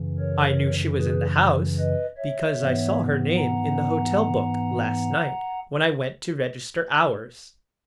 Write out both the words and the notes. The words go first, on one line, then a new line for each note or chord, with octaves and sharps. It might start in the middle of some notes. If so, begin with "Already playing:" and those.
"I knew she was in the house, because I saw her name in the hotel book last night when I went to register ours."
Already playing: F#2 C#3 E3
A#4 C#5
G#4 B4
B4 D#5
C#5 E5
G#2 E3 B3
F#5 A#5